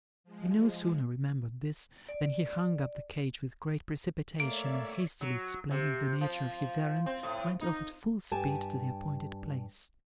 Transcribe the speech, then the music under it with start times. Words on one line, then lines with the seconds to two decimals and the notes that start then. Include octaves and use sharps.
He no sooner remembered this, than he hung up the cage with great precipitation, and hastily explaining the nature of his errand, went off at full speed to the appointed place.
0.24 F3 G#3
2.09 D5
4.40 A3 A#3 C#5 D5 E5 D7
5.21 F#3
5.71 C3
6.21 F3
7.06 C4
7.23 A2
7.61 D#4
8.31 G2 G4 G#5 A5